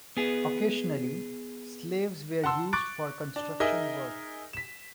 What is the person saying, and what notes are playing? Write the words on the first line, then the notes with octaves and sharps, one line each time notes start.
Occasionally, slaves were used for construction work.
B3 G#4
F#5 A5 C6 E6
C#6 D6 F#6 A6 D7
D4
D#4 G#4 A#4 D#5 E5
B6 E7